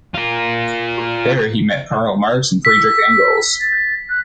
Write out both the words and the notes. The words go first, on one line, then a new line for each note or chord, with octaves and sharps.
There he met Karl Marx and Friedrich Engels.
F4 A#4
E6 B6
A6
F#6